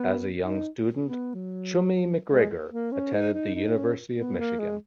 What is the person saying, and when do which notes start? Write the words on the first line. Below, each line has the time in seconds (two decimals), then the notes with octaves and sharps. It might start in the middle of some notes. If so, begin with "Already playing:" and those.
As a young student, Chummy MacGregor attended the University of Michigan.
Already playing: B3
0.40 D#4
1.02 B3
1.34 F#3
2.28 G#3
2.70 A#3
2.92 C#4
3.13 D#4
3.34 D#4
3.55 D#4
3.75 C#4
4.17 B3
4.38 A#3
4.59 G#3